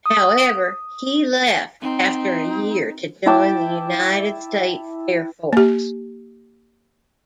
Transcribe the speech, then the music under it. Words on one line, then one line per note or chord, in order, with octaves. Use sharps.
However, he left after a year to join the United States Air Force.
D#6
C4 D#4
E4 G5 A5 D6
A#3 G4